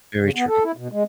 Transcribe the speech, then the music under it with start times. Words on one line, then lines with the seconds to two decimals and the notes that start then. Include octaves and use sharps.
Very true.
0.21 C#3
0.35 B3
0.47 A4
0.64 E4
0.77 B2
0.92 G#3